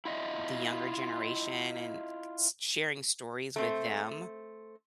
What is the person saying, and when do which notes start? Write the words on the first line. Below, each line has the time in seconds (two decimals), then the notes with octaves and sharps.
the younger generation and s sharing stories with them
0.05 E4 F4 D#5 E5
3.56 A3 C4 C5